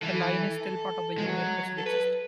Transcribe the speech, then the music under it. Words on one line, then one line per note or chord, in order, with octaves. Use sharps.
The line is still part of the Union Pacific system.
E3 A4
G#3
F#3
A4
B4